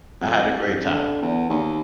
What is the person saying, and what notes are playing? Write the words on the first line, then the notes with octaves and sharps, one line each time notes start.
I had a great time.
F2
C2
D3
E2
D#2